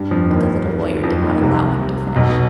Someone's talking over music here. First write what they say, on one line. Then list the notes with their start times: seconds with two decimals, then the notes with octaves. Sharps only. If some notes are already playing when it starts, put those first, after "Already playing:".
But the little lawyer did not allow him to finish.
Already playing: G2 G3
0.11 F2 F3
0.30 D#2 D#3
1.04 F2 F3
1.22 D#2 D#3
1.42 C2 C3
2.16 B1 B2
2.29 B2